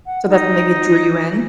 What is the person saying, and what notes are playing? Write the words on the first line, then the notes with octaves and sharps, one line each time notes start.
so that's maybe drew you in?
F#5
D#4